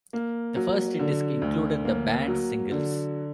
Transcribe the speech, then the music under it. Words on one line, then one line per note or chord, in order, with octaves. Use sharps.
The first disc included the band' singles.
A#3
F#3
D3
D2
A#3
F#3
D3